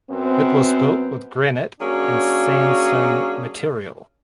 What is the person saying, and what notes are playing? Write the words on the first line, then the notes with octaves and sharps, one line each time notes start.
It was built with granite and sandstone material.
F#2 B3 C4
F#3 A#3 C#4 D4 G#4